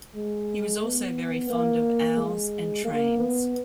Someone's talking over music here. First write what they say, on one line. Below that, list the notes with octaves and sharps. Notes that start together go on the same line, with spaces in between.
He was also very fond of owls and trains.
G#3
B3
A#3
G#3
A#3
B3